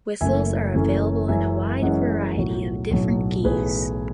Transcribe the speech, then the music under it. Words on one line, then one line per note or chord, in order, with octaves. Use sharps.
Whistles are available in a wide variety of different keys.
F#1 F#2 E3 A3 C#4 E5 G#5
F#1 F#2 E3 A3 C#4
F#2 E3 G#3 C#4 E5 G#5
F#2 E3 G#3 C#4 D#5 F#5
B1 A2 F#3
B1 A2 F#3
B1 A2 E3 G#4 B4